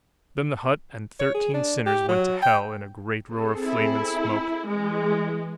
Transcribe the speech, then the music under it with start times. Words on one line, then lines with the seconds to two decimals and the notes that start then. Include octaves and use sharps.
Then the hut and thirteen sinners went to Hell in a great roar of flame and smoke.
1.20 C#5
1.34 G#4
1.54 D4
1.86 G4
2.09 F#3
2.42 G5
3.25 C4 G#4 A4
3.66 E4
4.67 E3 G#3